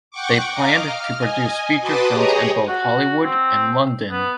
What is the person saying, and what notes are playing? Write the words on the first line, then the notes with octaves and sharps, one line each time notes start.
They planned to produce feature films in both Hollywood and London.
F#5 G5 C#6 D6
D#5 F5 A#5 D6
F6
D#5 G#5
F#4 B4 A5 C6 D6 D#6
G4 G#4 C#5 D#5 A#5 D#6
F#4
C4
B3